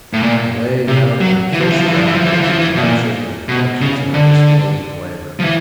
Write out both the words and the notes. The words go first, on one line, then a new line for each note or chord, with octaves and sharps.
The laying out of the fish trap was his action and the catches are his field of labour.
A2
A#2
C3
F#3
E3
F3
E3
F3
E3
F3
E3
F3
E3
F3
E3
F3
E3
B2
A#2
B2
C#3
D3
F3
E3